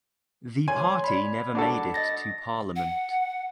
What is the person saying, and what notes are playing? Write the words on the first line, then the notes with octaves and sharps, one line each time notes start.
The party never made it to parliament.
C#5 G#5 C6
D5 B5
D4 F#4 A4
D#5 A6 A#6
F#5